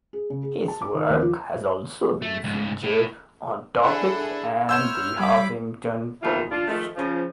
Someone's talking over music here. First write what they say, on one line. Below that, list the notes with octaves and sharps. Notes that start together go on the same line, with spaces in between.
His work has also been featured on Topic and The Huffington Post.
G#4
C#3
G#4
A5
D6
D#3
D#2
F3
A3
C#2 G#2
A2
D4 E4 G#4 A4 F#5
C#5 G#5 C6 D6 E6 F6 G6 E7
G3 G#5 B5 D6 B6
B2 D#3 E3 A#3 E4 F4
D4 F4
D#3 F3 G#3 A3
C#3 F3